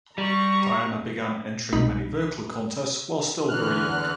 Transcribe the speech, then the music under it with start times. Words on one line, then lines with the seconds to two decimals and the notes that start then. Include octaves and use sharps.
Diana began entering many vocal contests while still very young.
0.18 G3 A#5 C#6
1.73 C2 B2 D#4 B5
3.49 E2 D3 E3 F6 F#6